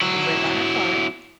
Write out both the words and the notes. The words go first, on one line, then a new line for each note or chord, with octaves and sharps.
live on a farm,
F#3 E4